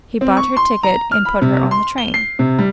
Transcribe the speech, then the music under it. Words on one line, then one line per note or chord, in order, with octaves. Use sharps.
He bought her ticket and put her on the train.
C4
C#6
C6
A#5
F6
B5
C3
C6
G7
C7
C3
G3